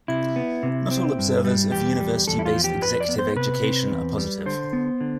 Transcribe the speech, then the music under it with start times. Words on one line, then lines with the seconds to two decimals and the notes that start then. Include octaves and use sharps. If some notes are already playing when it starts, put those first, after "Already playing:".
Not all observers of university-based executive education are positive.
0.08 C3 E4
0.36 B3
0.63 C3
0.91 C4
1.18 G2
1.45 G3
1.72 E2 G4
2.00 G3
2.27 E2 A4
2.39 E4
2.46 F4
2.55 F3
2.64 G4
2.82 F2 B4
3.00 D5
3.09 B3
3.19 C5
3.36 C3 B4
3.63 C4
3.91 E2
4.18 G3
4.46 D3 C5
4.73 B3
5.00 D3